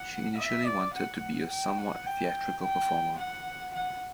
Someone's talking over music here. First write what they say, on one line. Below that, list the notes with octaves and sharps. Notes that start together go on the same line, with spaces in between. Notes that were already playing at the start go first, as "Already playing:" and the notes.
She initially wanted to be a somewhat theatrical performer.
Already playing: F#5
E5
D5
F#5
G5
F#5
G5
G5
F#5
F#5